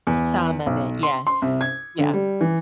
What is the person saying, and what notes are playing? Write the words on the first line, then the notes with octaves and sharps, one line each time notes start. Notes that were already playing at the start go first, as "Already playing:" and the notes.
Some of it, yes, yeah.
E2
B1
C6
C6
C2
G#6
D3
G3
E3